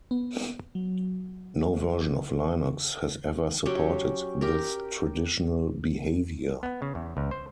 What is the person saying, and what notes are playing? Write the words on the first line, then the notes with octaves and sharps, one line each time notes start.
No version of Linux has ever supported this traditional behavior.
B3
F#3
F#3 C#4 G4 C#5
G4 A#4
B3
C#3
E2
C#2
C5